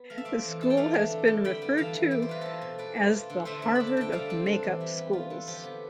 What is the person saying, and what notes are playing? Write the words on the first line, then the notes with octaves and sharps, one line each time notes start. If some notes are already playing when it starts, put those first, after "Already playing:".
The school has been referred to as "the Harvard of make-up schools".
Already playing: B3
A3 F5
E5
C4 D5 F5
E3
E3 A5
G5
A3 D5 F5
D4
D3
D3
G3 G5 B5
B3
E3 F5 A5
E3
B3 D5
C5
F4 B4
F4 A4 C5
B2
A3 B4 D5
D4
F4
D3
A3 C5 E5
D4
D3 B5
A5
D3 G5
G3 D5 F5
C4
D4
E3
G3
B3
F4
D3
F3 G4
B3